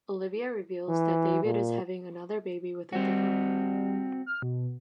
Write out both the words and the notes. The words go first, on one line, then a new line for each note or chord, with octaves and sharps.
Olivia reveals that David is having another baby with a different woman.
E3
A#2
G3 C4 F#4
F6
B2